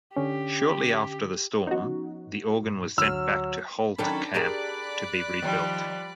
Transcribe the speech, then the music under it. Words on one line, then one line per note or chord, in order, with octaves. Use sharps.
Shortly after the storm, the organ was sent back to Holtkamp to be rebuilt.
D3 C#4 G4
F3 B3 C#4 D#4 F#4
G2 A#2
D2 D3 F#3 E6 F6
D#3 F#3 C#4 D4 A4 G5 A5 B5
G4 G#4 A#4 D5 B5 F#6
D#3 F3 G3